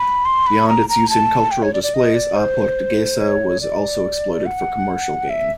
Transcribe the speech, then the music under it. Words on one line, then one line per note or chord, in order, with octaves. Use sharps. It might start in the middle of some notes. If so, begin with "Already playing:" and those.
Beyond its use in cultural displays, "A Portuguesa" was also exploited for commercial gain.
Already playing: B5
C6
B5
A#5
A#5
A5
G5
C#5
D5
D5
D#5
D5
C5
C#5
D5
F#5
E5